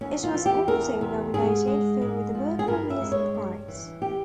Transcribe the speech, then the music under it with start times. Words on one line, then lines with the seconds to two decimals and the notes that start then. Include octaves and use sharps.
It was also nominated for the Mercury Music Prize.
0.01 E2 C#4
0.24 F4
0.34 E3
0.46 G4
0.68 E2 A#4
1.01 C3
1.34 G#2 G#4
1.67 G#3
2.01 G#2
2.35 F3
2.59 G#4
2.67 G2 A#4
2.90 E5
3.02 G#3
3.12 C#5
3.34 G2
3.68 E3
4.02 G4